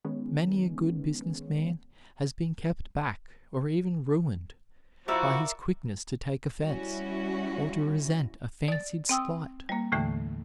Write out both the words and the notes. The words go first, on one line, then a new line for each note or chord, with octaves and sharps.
Many a good business man has been kept back, or even ruined, by his quickness to take offense, or to resent a fancied slight.
D#3 G#3 B3 C#4
F3 E4 F#4 A#4 D5 E5
G3 C#4 E4 F#4
D5 A6
C4 G5 D#6 E6
G3 A#3
D#2 A2 D3 E3 A3